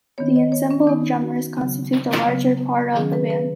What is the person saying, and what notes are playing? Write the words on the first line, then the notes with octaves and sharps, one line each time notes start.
The ensemble of drummers constitute the larger part of the band.
D#3 B3 C#5
D#5
C#5
C#4
D#3 B3 D#4
F#4
C#3 F#3 B3
C#3 F#3 B3
D#3 F#3 C#4 G#4
B4
B4